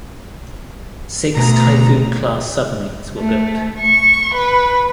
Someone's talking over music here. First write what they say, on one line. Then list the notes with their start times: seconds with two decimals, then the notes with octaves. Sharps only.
Six Typhoon-class submarines were built.
1.36 D2 B2 A#5
3.17 A3
3.79 C#6
4.33 B4